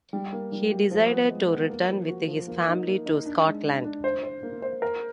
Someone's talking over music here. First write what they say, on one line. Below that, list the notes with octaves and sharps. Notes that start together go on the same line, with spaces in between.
He decided to return, with his family, to Scotland.
G3
A#3
G3
G4
F3
B3
G#3
B3
A#3
F3
F#4
F3
A#3
D#4
A#3
D#4
D4
G#3
D4
D4
C5
C5
A#3
C5
A#4